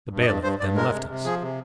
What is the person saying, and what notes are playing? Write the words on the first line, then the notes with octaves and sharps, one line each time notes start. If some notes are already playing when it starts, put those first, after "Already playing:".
The bailiff then left us.
G2
D#5
G2 D5
G2 C5
G2 D5
G#3 A#4
C3
C3
F3 G#4
C3